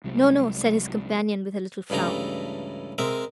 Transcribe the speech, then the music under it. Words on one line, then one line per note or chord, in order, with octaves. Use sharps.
"No, no," said his companion, with a little frown.
C2 C3 F#3 G#3
C#2 G2 E3 A3 A#5
G#3 C4 A#4 E5